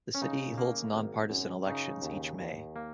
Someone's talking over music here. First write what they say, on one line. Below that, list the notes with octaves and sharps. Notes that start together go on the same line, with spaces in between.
The city holds nonpartisan elections each May.
C#4
C#3 D#4
A#3
G#1
F#2
C#3 D#4
D#2
D#2
A#3